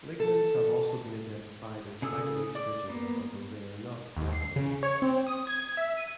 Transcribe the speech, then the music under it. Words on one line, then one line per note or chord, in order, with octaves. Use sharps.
Lignans have also been identified as phytoestrogens, although they are not flavonoids.
A4
C#3 G#4 A4 D#6 E6
D5 D6
A#3 B3
D#2
C7
C#3
C#5
C4
D#6
G#6
E5
D#7